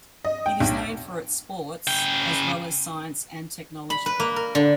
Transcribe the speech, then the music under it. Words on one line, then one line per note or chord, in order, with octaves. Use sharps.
It is known for its sports as well as science and technology.
D#5
G5
B1
C#3 G5
B5
B4
A#3
A#4
D3